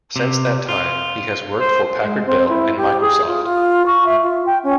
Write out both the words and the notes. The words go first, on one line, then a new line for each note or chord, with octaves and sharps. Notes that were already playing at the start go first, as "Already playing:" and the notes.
Since that time he has worked for Packard Bell and Microsoft.
C3
F4
C5
G#3
C4
E4
G4
G#4
F4
F4
C#6
E5
F4
G5
C#4